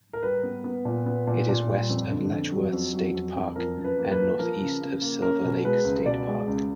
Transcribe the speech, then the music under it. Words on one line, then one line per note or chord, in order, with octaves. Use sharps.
It is west of Letchworth State Park and northeast of Silver Lake State Park.
A#4
G3 B4
B3
B3
A#2
B3
A#2
A#2
G3
F2
D3
F2
F#3
F2
F#3
F2
F2
F3 A#4
F#2
B4
A#3
B4
F3
F3 A#4
C#3
C#3
A#3
C#4 A#4
B2
G#3 B4
C#2
B2 D5
G#3
C#2